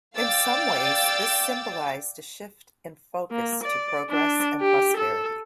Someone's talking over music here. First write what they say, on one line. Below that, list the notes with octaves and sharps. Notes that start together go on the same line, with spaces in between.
In some ways this symbolised a shift in focus to progress and prosperity.
D5 F5 G5 D6 E6 A6
A#3
D5
D4
G4
A4